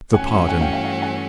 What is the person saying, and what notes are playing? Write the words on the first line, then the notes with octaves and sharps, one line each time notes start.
The Pardon.
G2 E3 A3 C#4 F#4 F#5 G#5
F#5 G#5
F5 G5
F5 G5
F5 G5
F#5 G#5